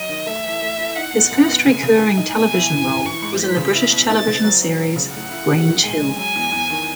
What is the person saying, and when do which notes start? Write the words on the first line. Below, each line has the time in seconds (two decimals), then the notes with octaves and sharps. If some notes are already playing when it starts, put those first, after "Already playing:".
His first recurring television role was in the British television series "Grange Hill".
Already playing: F#3 D#5
0.09 D#3
0.26 A3 E5
0.44 E3
0.62 A3
0.79 E4
0.96 D#4 F#5
1.13 B2
1.31 F#2
1.49 B3
1.66 C#3 G#5
1.83 C#3
2.01 A2
2.17 D#4
2.35 B2 G#5
2.53 E4
2.70 E3
2.88 E3
3.05 E3 C#6
3.22 G#2
3.40 E3 B6
3.57 C#3
3.74 E4
3.92 B2
4.09 D#4 A6
4.27 C#3
4.44 F#3
4.62 F#3
4.79 F#3
4.96 C#3
5.14 A2 F#5
5.31 E4
5.48 E2
5.65 D#3
5.83 G#3 G#5
6.00 G#3
6.18 F#3 G#5
6.35 E2
6.52 E2
6.70 D#3